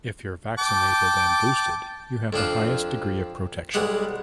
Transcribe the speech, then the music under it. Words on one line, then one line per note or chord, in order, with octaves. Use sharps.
If you’re vaccinated and boosted you have the highest degree of protection.
G5 A5 D6
F2 F3 D4 F4
B1 G3 G#3 F#5 D#6